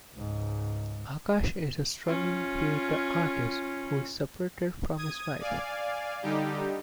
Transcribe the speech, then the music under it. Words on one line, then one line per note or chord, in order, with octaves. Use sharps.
Akash is a struggling theater artist who is separated from his wife.
C#2 G#2
C#4 F4
D#6 G#6 D#7
D5 F5 G#5
D3 G3 D#4 G4